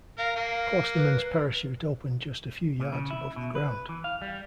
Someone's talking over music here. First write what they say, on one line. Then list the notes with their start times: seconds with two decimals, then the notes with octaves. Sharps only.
Clostermann's parachute opened just a few yards above the ground.
0.18 A#4 F5
0.36 A#3
0.95 B4
2.80 A#2
2.93 C#3
3.11 E4
3.36 B2
3.55 B4
3.89 E3
4.04 F5
4.22 G3